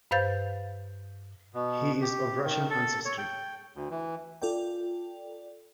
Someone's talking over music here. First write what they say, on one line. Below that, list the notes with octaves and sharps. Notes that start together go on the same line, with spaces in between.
He is of Russian ancestry.
G2 B4 C5 F5 G6 A6
B2
G4
D#3
A4
C#5
G5
D2
E3
F4 A4 D5 G5